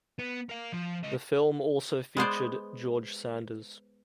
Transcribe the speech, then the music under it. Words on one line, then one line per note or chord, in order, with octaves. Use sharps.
The film also featured George Sanders.
B3
A#4 F5
F3
C#2 D#5
G#3 B3 C5 D5